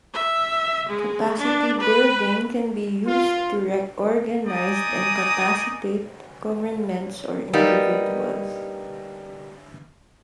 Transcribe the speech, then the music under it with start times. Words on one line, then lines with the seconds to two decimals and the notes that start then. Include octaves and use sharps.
Capacity building can be used to reorganize and capacitate governments or individuals.
0.13 E5
0.88 G#3
1.38 D4
1.80 B4
3.06 F4
4.46 D#4 D5 G#5 D#6
7.53 G3 A#3 B3 D#4